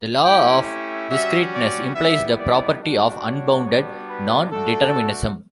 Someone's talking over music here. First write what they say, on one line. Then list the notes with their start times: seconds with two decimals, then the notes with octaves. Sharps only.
The Law of Discreteness implies the property of unbounded nondeterminism.
0.24 A3 C#4 E4 G4 G5
1.09 G3 C#4 F#4 E5
1.53 D5
1.95 G3 B3 E4 E5
2.37 D5
2.80 G3 D4 F#4
3.23 C#5
3.66 G3 B3 D4 F#4
4.08 B4
4.51 A3 D4 F#4 A4